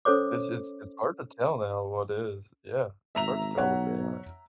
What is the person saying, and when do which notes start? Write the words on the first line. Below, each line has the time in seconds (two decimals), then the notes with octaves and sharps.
it's it's it's hard to tell now what is Yeah. Hard to tell with AI,
0.05 C#4 A4 C5 C#5 D6
3.15 G#1 E5 A#5 F7
3.58 B1 C#5 F#5